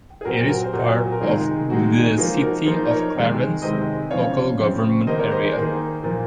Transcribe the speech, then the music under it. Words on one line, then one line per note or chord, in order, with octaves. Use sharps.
It is part of the City of Clarence local government area.
G#4
A#2 F#3 C4 F#4 A#4
F#4 A#4
C5
A#2 F#3 C4 F#4 A#4
A#4
C3 D#3 G#3 D#4 F4 G#4
C3 D#3 G#3 D#4 F#4
F3 A#3 D#4 F4 G#4
F#4 A#4
F3 A#3 D#4 G#4 C5
A#4 C#5
C3 D#3 G#3
C3 D#3 G#3 C5 D#5
C#3 F3 C4 C#5 F5
C#3 F3 C4
D#3 A#3 D#4 C5 D#5
A#4 C#5
C5 D#5
G#4 C5
D#3 A#3 D#4
A#2 F3 A#3